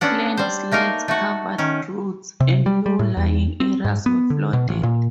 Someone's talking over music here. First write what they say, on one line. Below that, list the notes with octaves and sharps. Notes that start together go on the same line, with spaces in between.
Landslides covered roads, and low-lying areas were flooded.
B3 C#4 D4 F#5
G3 C5
A3 A#3 D#4 A#4
A3 F#4
D#3 C#4
C3
G3
G3
A2
E2
C4
G#2
B3
D3
B2
A1
A#2